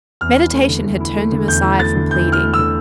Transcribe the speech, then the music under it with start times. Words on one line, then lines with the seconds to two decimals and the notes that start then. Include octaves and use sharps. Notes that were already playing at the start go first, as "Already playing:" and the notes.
Meditation had turned him aside from pleading.
0.21 E2 F6
0.37 E4
0.53 A3
0.69 D3
0.85 E2
1.00 E4
1.16 A3
1.32 D3
1.48 E2 G6
1.64 E4
1.79 A3 A6
1.95 D3
2.11 E2 G6
2.28 E4 F6
2.43 A3
2.54 E6
2.59 D3